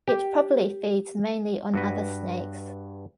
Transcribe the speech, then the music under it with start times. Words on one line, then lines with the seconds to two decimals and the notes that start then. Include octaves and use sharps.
It probably feeds mainly on other snakes.
0.08 G4
1.74 G2 F#4 B4